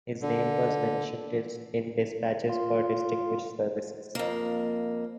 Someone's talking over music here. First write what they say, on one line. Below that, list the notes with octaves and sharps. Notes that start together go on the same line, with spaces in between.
His name was mentioned in dispatches for distinguished services.
D3
F4
F2 A#3